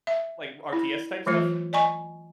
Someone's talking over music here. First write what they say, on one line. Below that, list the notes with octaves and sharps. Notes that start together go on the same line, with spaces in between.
like, RTS type stuff?
E5
E4
E3 F#3 A3 F4 C5
D5 D#5 G#5 A#5 C#6